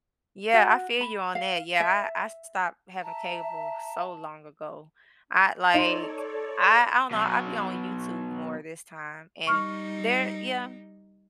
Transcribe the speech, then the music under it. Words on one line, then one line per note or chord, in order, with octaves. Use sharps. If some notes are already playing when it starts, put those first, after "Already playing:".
Yeah, I feel you on that. Yeah, I I stopped having cable so long ago. I like, I I don't know, I be on YouTube more this time and there yeah.
F#4
B5
F5
E5
E5 A5 A#5
D#4 A4 C#5 D5 C6
B2 F#3
G3 D#4 C#6 F6